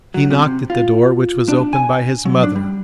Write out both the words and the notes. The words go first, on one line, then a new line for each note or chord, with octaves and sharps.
He knocked at the door which was opened by his mother.
F#3
C3
C3
F4
D4
G#5
F#3
D4
G3